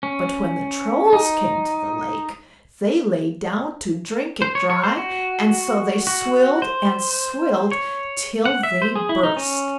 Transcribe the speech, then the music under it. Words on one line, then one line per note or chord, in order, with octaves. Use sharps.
But when the Trolls came to the lake, they lay down to drink it dry; and so they swilled and swilled till they burst.
C#4
D#4
C5
C#5
C#5
C5
F#4
F#4
C5
C#5
F#5
E5
C5
G#4
E4
D#4
C#4